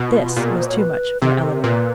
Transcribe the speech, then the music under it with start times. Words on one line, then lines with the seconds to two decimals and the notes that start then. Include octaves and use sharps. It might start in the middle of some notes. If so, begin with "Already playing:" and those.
This was too much for Eleanor.
Already playing: B2
0.08 F4
0.22 F4
0.37 A#2 G4
0.46 G#4
0.58 C5
0.68 C#5
0.79 B4
1.22 C3 A4
1.32 G#4
1.42 A4
1.53 A#4
1.64 A#2 B4